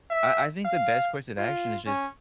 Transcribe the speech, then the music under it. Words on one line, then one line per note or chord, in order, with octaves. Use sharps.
I I think the best course of action is just
E5
F5
F4
C#4